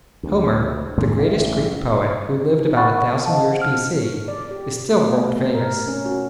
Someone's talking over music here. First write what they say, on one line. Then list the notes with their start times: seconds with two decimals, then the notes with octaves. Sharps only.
Homer, the greatest Greek poet, who lived about a thousand years B.C., is still world famous.
0.23 D2
0.98 A2 D#3 G#3 A3
1.18 A1 G2
2.60 D#4
2.77 F#5 B5 C#6 F#6 A6
2.90 A#4
3.26 C5 D#5 F5 F#5 A5
3.62 F6
3.97 C#5
4.28 D5
4.51 G4
4.94 A3
5.09 F5
5.30 B2
5.54 A#4
5.88 C#4
6.06 F#4